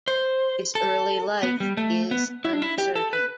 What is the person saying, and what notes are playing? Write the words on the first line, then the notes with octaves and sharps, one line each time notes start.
His early life is uncertain.
C5
A4
B3
G3
A3
B3
E4
D4
E4
G4
A4
B4